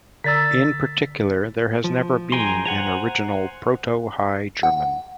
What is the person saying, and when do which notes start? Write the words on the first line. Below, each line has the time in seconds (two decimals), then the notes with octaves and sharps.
In particular, there has never been an original "Proto-High German".
0.24 D3 D5 A#5 E6 A6 B6
1.84 F3
2.32 G#4 G5 G#5 A#5 C6
2.65 C5 F#5 G#5 A#5
4.63 F#5